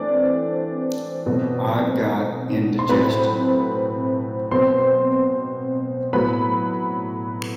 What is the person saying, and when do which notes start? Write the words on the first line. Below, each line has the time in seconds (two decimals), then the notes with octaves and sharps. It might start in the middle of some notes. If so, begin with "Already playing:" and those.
I've got indigestion.
Already playing: E3 A3 C4 D4 D5
1.26 B2 F#3 A3 C4
2.79 C6
2.89 A2 F#3 A3 C4 B4 B5
4.51 B2 F#3 C4 C5 C6
6.13 A2 F#3 B3 B4 B5